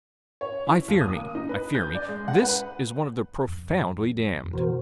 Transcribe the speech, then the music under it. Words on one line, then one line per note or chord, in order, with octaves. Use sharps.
I fear me, I fear me: this is one of the profoundly damned.
C#5
E4
D#2
D#6
A#3
D#4
B4
G6
D5
G#3
F#5
B4
F2
B2 E3 F#4 A#4 C5